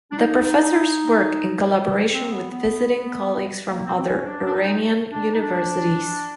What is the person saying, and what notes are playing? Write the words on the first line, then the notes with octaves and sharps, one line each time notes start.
The professors work in collaboration with visiting colleagues from other Iranian universities.
D4
D#4
C4
B3
B3
A#3
C4
C4
C#4
D4
D4
D#4
D4
D#4
D4